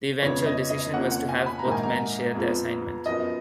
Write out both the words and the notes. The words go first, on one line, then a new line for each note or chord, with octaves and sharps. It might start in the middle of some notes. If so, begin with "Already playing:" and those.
The eventual decision was to have both men share the assignment.
F2 C#3 G#3 B3 F4 C#5
D#5
D#5
F2 D#3 A#3 C#4 F4 F#5
F#5
G#5
B5
A#5
A#1 G#2 D#3 A#3 D#4
G#5
A#5
F2 F3 G#3 B3 F4
F#2 F3 B3 D#4 D#5